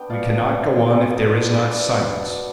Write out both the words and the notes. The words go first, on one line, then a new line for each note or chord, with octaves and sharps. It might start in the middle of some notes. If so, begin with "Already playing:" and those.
We cannot go on if there is not silence.
Already playing: B3 D4 G5
B2 D5 F5
D4
B2
B3
B2
D4
B2 B4 D5
B3
B2
D4